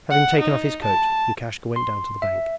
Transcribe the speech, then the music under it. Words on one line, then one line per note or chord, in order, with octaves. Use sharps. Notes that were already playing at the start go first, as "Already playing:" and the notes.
Having taken off his coat, Lukashka went down to the bank.
F#5
D#4
A5
C6
E5